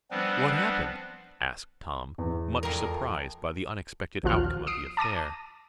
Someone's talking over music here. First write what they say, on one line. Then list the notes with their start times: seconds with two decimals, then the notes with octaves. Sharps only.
"What happened?" asked Tom, much surprised by the unexpected outcome of the affair.
0.11 F3 G3 B3 C4 D4 B4
2.18 E2
2.63 F2 A#4
4.23 A#1 D#2 F3 F4 F6
4.67 D#6 C7 D7
4.97 A5 D6 A#6 D#7